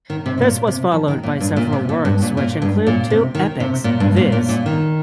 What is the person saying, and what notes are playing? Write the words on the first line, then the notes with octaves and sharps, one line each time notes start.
This was followed by several works which include two epics viz.
D#3
C3
C3
A#2
C3
F3
D#3
A#2
G2
A#2
C3
A#2
G2
A#2
A#2
G2
A#2
C3
D#3
C3
A#2
G2
A#2
A#2
A#2
D#3